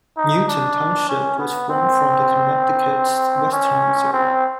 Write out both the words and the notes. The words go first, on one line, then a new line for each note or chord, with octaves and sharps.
Newton Township was formed from the Connecticut Western Reserve.
D#4
D4
C#4
B3
C4
C#4
C4